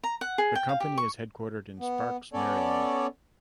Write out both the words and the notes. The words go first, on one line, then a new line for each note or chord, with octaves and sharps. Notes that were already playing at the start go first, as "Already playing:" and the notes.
The company is headquartered in Sparks, Maryland.
A#5
F#5
G#4
G5
F5
G4
C#6
B3
B3 C#4 A4 C#5 D5